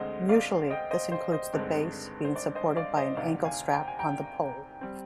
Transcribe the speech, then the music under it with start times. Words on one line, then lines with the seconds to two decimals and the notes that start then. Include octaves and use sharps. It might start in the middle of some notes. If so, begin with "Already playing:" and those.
Usually this includes the base being supported by an ankle strap on the pole.
Already playing: D2 D3 G#3 C4 C5 D#5
0.29 D5 F5
0.70 D#5 G5
0.91 C5 D#5
1.12 C5
1.32 C5 D#5
1.53 G#1 G2 D3 G#3 C4
2.25 C5
2.36 D5
2.55 C5 D#5
2.76 D5 F5
2.97 C5 D#5
3.17 D2 C3 D#3 D5 F5
3.44 F5 G#5
3.72 G5 A#5
3.88 G#5
3.99 G5 A#5
4.81 G3 C4